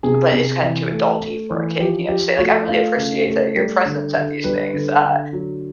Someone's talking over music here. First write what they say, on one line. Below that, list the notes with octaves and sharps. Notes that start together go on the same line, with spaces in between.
but it's kind of too adulty for a kid, you know, to say, "I really appreciate that your presence at these things," uh,
C3 G#4
C3
E3
A3
A3
E3
F3 G4
F3 G4
A3 F#4
A3 F4
C#3
A3
G3
D3
D3
G3 B4
D3
D3
F#3